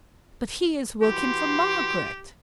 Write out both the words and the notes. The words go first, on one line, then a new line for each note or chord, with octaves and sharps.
"But he is working for Margaret."
E3 F#4 G4 C6